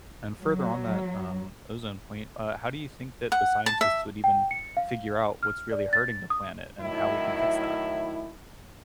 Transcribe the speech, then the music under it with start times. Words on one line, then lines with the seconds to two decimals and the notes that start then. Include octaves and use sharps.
and further on that, um, ozone point, uh, how do you think that the scientists would even figure out what's really hurting the planet and how we can fix that?
0.41 F#3
3.32 F#5
3.66 A5
3.81 E5
4.24 G5
4.51 C#7
4.77 F5
5.43 F6
5.72 D5
5.93 A6
6.30 D#6
6.81 A2 D#3 F#3 E4